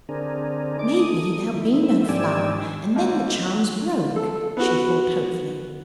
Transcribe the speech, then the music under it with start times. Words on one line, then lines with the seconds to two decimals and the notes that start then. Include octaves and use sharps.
'Maybe there'll be no flower, and then the charm's broke,' she thought hopefully.
0.09 D3 C4 D4 G#4 A#4
0.79 D#4 D5 D6
0.99 A3 D#6
1.54 D#3 E4
1.83 C4 E5
2.09 G#2 D4 G4 D5 G#5 E6
2.96 D#2
4.16 A4
4.57 B3 F#4